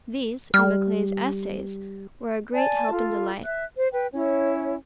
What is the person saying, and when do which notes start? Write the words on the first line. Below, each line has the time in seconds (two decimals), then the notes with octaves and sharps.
These, and Macaulay's "Essays," were a great help and delight.
0.54 G3 F6
2.54 D5 G#5 A5
2.91 F4 A4
3.44 E5 F#6
3.77 C5
3.93 B4 G5
4.13 C#4 E4 C#5